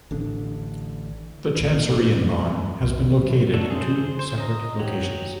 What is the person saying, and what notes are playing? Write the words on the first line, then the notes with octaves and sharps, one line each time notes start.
The chancery in Bonn has been located in two separate locations.
A1 D3 D4
D1 A#1 A#2
A#2
F3 G3 A3
B1 F2
C#3 F3 F#3
F#3 A3 D4 A4
G#4 C5
C5
D#5 A#5
F#3 G4